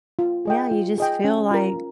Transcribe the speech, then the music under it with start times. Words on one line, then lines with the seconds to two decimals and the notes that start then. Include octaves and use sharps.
Yeah, you just feel like
0.19 F4
0.45 G#4 D#5 G5
0.72 F4
0.98 G#4 D#5 G5
1.25 C#4
1.51 F4 A#4